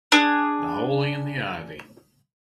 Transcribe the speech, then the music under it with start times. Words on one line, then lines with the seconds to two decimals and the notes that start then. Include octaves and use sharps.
The Holly and the Ivy.
0.12 D4 G#4